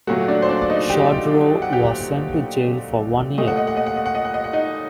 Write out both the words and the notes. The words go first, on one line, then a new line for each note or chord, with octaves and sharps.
Chodorow was sent to jail for one year.
A#2 F#3 A3 F#4 F#5
D4 D5
C5
D4 D5
D5
D#4 D#5
G4 G5
F#5
G4 G5
A#2 A3 D#5
F#5
D#5
F#5
D#5
F#5
D#5
F#5
D#5
F#5
D#5
F#5
D#4 D#5